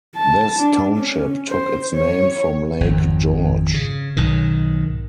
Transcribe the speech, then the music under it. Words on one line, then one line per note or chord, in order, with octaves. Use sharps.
This township took its name from Lake George.
A5
D4
C#4
C5
C#5
G#1 F2
C#3
B1 G#2 D#3